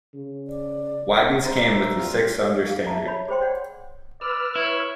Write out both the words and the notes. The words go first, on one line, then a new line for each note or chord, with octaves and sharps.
Wagons came with a six-cylinder standard.
C#3
D5
G#3 C5 E5 A#5 D#7
G3 C4 F4
G#4 F5
E5 A5 A#5
C#5 B5
G#4 C5 G5 C6
C#5 D5 F#5
B4 D5 E6 F6
E4 C#5